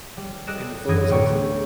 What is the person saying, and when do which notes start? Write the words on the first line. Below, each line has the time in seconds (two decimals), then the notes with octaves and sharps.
and the photos I took
0.17 G3
0.47 G3 A4 D#5 F#6 D7 E7
0.87 F#2 E3 D#6 G#6 A#6 D#7
1.09 D2 A2 D5 G5 C#6
1.26 A3 B3